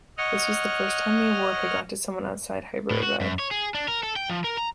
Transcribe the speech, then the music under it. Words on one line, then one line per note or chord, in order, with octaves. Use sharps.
This was the first time the award had gone to someone outside Hyderabad.
C#5 D#5 F#5 F6
A2
F#4
F#2
C#5
G#4
D4
A#4
A4
G5
F3
A#4
A#5